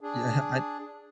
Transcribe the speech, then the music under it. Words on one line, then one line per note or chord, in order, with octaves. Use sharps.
Yeah, I
D4 G#4